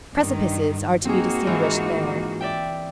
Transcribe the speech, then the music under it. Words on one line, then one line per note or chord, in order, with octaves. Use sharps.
Precipices are to be distinguished there.
G2 D#3
A#3 C4 D#4 F#4 G#4
G#2 E3 F4
D5 E5 G5